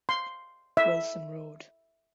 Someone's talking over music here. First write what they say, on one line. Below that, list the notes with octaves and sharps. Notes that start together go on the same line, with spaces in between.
Wilson Road.
C6
E5